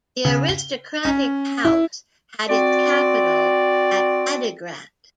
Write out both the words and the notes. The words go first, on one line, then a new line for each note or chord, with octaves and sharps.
The aristocratic house had its capital at Adigrat.
C#3
G7
C#4
E4
C4 F#4 D5